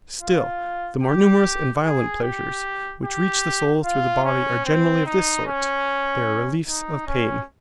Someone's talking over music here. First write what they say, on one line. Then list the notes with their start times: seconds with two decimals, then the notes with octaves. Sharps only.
Still, the more numerous and violent pleasures which reach the soul through the body are generally of this sort--they are reliefs of pain.
0.21 F4
1.02 G4
1.82 G#4
2.23 G4
3.04 G4
3.84 F4
4.24 C#4
4.65 C4
5.05 D#4
5.46 C#4
6.67 D#4
7.07 C#4